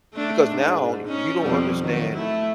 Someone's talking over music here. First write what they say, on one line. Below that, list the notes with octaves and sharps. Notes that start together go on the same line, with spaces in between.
Because now you don't understand
A3 D4
G#2
C#4 D#4
F2 B2 G3
D#3 F#3
A3 E4